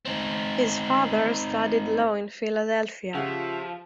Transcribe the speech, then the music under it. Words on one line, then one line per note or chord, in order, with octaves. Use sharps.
His father studied law in Philadelphia.
C4 D#4
C#3 F3 F4 G4 E5 F#5